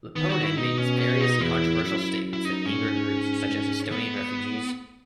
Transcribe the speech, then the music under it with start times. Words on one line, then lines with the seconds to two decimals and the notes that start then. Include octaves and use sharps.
Lipponen made various controversial statements that angered groups such as Estonian refugees.
0.16 D#3 B3
0.29 F#4
0.43 E4
0.57 B2 D#4
0.79 C#4
0.99 C#4
1.21 D#4
1.40 E2 E4
1.83 F#2
2.33 E4
2.45 D#4
2.66 G#2 C#4
3.50 G#2
3.92 B3